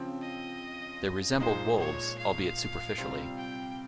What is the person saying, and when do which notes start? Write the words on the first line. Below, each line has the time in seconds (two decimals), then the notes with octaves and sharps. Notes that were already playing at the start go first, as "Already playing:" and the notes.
They resembled wolves, albeit superficially.
Already playing: C#3 F3 C4
0.22 D#5
1.40 A#2 F3 G#3 D#4 C5
1.79 C#5
2.19 F5
2.98 C3 G3 C4 F4
3.38 G5